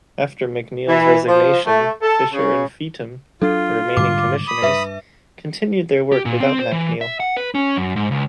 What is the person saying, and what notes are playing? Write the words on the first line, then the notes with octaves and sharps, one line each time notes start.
After McNeill's resignation Fisher and Feetham, the remaining commissioners, continued their work without MacNeill.
E3
F3
A3
A4
C#3
F#3 D4 F4 A4
G#2 D3 G3 D6
B5 D#6
G2 B4 E5
G4
A#2
C4
C5
E3
E5
F#5
B4
C#4
F#2
G#2
C#2